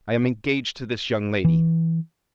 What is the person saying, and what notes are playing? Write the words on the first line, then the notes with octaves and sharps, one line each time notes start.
I am engaged to this young lady.
E3